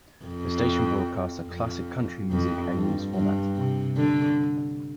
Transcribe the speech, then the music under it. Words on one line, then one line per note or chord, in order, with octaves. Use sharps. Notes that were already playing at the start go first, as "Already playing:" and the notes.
The station broadcasts a classic country music and news format.
F2
F2
F2
G2
G2
C3
D3